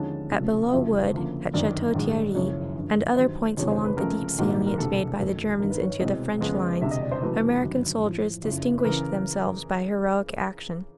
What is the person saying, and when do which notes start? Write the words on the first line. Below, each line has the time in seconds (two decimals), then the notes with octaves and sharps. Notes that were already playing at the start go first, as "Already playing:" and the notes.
At Belleau Wood, at Chateau-Thierry, and other points along the deep salient made by the Germans into the French lines, American soldiers distinguished themselves by heroic action.
Already playing: D#2 D3 F3 G#3 C#4 A5
0.32 C#2 C3 F3 A3 C#4
0.68 F5
0.72 F#1 F2 C#3 F#3 E5
1.13 D2 C#3 F3 A#3
1.54 G1 F#2 D#3 D5
1.94 A#1 G#2 D#3 G#3
2.35 F#1 F#2 C#3 F3 C#5
2.75 G2 D3 F3
3.16 G2 D#3 F#3 C5
3.57 G1 F2 C3 D#3 G#3 C#5
3.72 C5
3.85 B4
3.97 C#2 C#3 F3 A3 A#4
4.38 A#1 G#2 D#3 F#3 A#3
4.67 A#4
4.78 E1 D2 C3 A4
5.19 G#1 F#2 D#3 F#3 A3
5.59 G#1 G2 D#3 A#4
5.70 B4
5.80 C#5
5.90 C#5
6.00 C2 B2 G#3 C4 D#5
6.41 F2 C#3 F3 G#3 B3
6.82 E1 D2 C3 E5
6.91 D#5
7.01 D5
7.12 C5
7.22 F1 E2 C#3 F#3 A3 B4
7.62 G1 F#2 D#3 F#3
8.03 A1 A2 F3
8.44 F#1 F2 C#3
8.79 B4
8.84 C#3 E3 A#4